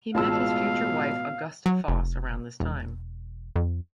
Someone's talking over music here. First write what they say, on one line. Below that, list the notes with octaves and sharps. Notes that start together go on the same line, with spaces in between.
He met his future wife Augusta Foss around this time.
A1 B2 G#3 F4 F5 A5 E6
F#3
F1
E1
F2